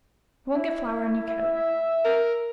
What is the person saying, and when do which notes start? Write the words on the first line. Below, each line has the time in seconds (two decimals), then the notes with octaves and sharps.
I won't get flour on your coat.
0.54 E4
1.27 E5
2.05 A#4